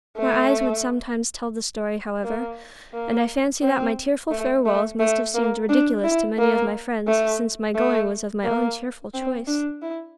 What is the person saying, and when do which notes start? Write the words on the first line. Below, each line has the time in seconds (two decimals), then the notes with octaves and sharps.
My eyes would sometimes tell the story, however, and I fancy that my tearful farewells must have seemed ridiculous to many of my friends, since my going was of my own cheerful choice.
0.17 A3
2.24 A#3
2.94 A#3
3.63 C4
4.31 A3
4.65 A3
5.00 A3
5.35 A#3
5.69 D4
6.04 E4
6.38 A#3
7.07 A3
7.75 A3
8.45 A#3
9.14 C4
9.48 D4
9.82 E4